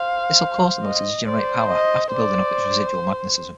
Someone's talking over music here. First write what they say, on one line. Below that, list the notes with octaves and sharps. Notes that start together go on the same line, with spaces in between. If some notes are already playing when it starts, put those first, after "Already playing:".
This will cause the motor to generate power after building up its residual magnetism.
Already playing: C5 F5
D#5
C5 D5
D#5
C5 D5